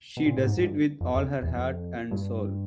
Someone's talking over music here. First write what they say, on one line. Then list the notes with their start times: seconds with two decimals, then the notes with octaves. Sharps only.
She does it with all her heart and soul.
0.17 B2
0.26 A#2
0.36 A2
0.46 G#2
0.58 G#2
0.64 G2
1.01 F2
1.14 F2
1.42 E2
1.56 F2
2.11 G2